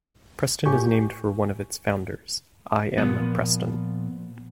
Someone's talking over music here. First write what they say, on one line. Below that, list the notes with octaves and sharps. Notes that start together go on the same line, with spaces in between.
Preston is named for one of its founders, I. M. Preston.
A2 G4 G#5 C#6 G6
A#2 F3 B3